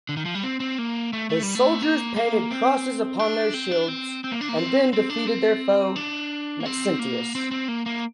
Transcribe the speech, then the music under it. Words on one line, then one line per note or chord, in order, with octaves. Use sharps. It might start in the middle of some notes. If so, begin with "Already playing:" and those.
His soldiers painted crosses upon their shields, and then defeated their foe, Maxentius.
D3
D#3
F3
G3
C4
C4
A#3
A3
A3
G3
A3
A#3
A#3
C4
D4
C4
D4
C4
C4
A#3
D4
A#3
C4
C4
D4
C4
D4
A#3
C4
A#3
C4
C4
A#3
A#3